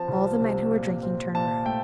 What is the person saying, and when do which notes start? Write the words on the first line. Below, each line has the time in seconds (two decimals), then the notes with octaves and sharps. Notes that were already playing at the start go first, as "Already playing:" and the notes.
All the men who were drinking turned round.
Already playing: F3 C4 A5
0.08 C2
0.40 C3
0.71 A#2
1.03 C4
1.35 A#2 A5
1.65 A3 G5